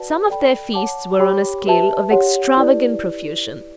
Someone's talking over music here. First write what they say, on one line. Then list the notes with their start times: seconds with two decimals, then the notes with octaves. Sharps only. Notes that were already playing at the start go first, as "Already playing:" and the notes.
Some of their feasts were on a scale of extravagant profusion.
Already playing: F#4 B4 D5 F#5 A5
0.28 A4 D5 G5 B5
0.74 C#5 F#5 A5 D6
1.20 G4 C#5 G5 B5 D6
1.66 G4 B4 E5 A5
2.11 G4 C#5 F#5
2.57 E4 G4 B4 D5